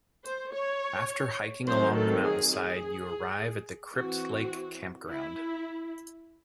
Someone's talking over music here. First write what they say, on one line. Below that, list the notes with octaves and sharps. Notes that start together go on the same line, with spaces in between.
After hiking along the mountain side, you arrive at the Crypt Lake Campground.
C5
C#5
D#3 F#3 A3 C4 C5
A4
G#4
G#4
E3 C4 F#4
E4